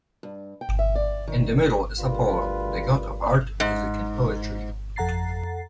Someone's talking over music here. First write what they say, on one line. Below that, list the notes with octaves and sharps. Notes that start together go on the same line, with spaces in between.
In the middle is Apollo the god of art, music and poetry.
G2
G5
E5
D5
D#3
D2 G3 F4 A#4 B4
G#2
F2 A4 F#5 A#5 A6 C7